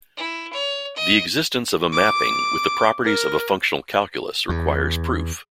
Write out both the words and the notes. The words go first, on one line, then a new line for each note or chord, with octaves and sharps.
The existence of a mapping with the properties of a functional calculus requires proof.
E4
C#5
D#5
D6
A#4
E2